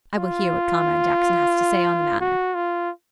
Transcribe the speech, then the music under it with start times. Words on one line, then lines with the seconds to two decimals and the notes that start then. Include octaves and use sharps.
I will hear what Comrade Jackson has to say on the matter.
0.18 F4
2.21 F#4
2.55 F4